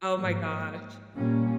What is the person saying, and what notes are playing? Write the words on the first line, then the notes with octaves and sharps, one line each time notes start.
Oh my gosh.
G#2 F3 A#3
A#2 G3 A#3 C#4